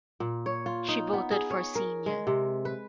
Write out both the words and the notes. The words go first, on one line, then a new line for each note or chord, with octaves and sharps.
She voted for Xenia.
A#2
C#5
F4
D#4
B3
G#4
C#5
A#4
G#3
C3
B4